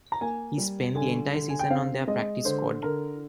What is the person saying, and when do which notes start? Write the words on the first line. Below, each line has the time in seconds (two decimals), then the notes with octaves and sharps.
He spent the entire season on their practice squad.
0.12 A#5
0.21 A#3 G#5
0.58 G3
0.95 D3 G#5
1.33 D3
1.49 G#5
1.59 G5
1.70 C4 F5
2.07 G#3 D#5
2.45 D3 C5
2.83 D3 A#4